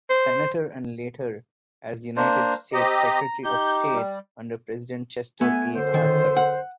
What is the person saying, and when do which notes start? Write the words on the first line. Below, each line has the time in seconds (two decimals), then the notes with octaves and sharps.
Senator and later as United States Secretary of State under President Chester A. Arthur.
0.10 C5
2.17 A#3 D4 C5
2.73 C4 G4 D#5 A#5
3.44 D#4 G4 G6
3.93 G3
5.41 A3 B3 G#5
5.75 F#2 D3 C5
5.94 D#3
6.37 F#5